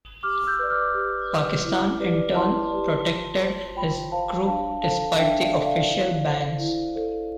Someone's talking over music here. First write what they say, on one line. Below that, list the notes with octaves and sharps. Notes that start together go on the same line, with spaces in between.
Pakistan in turn protected his group despite the official bans.
G4 D6 F6
E6 G6
B4 D5
D6 F6
G4
B4 D5
E4
G4 B4 D5
E4 A5 C6
G4 B4 D5
F4
C5
F4 G5 B5
C5 F5 A5
D4 F5 A5
A4 C5 F5 A5
D4 E5 G5
D5 F5
A4 C5
D5 F5
E4
A4 C5
E4
A4 C5